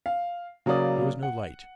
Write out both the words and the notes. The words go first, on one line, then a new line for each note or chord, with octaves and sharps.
There was no light.
F5
C#3 F#3 A#3 D5 D#6
F#5